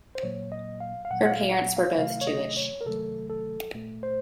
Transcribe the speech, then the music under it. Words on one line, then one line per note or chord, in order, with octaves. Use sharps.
Her parents were both Jewish.
C5
A#2 F#3 A#3 C#5
D#5
F5
F5
A#2 F#3 A#3 F#5
F#5
F5
F#5
F5
C3 D#3 F#3 A3 F5
C#5
D#5
C#5
A#4
C3 D#3 F#3 A3 A4
A4
A#2 A3
C5